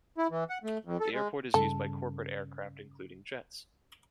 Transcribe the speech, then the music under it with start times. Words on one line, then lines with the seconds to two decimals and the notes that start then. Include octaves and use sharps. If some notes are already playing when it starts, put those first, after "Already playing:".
The airport is used by corporate aircraft including jets.
0.18 E4
0.31 E3
0.50 F#5
0.64 A3
0.85 F2
1.00 A4
1.13 G#3
1.54 G2 C#3 A4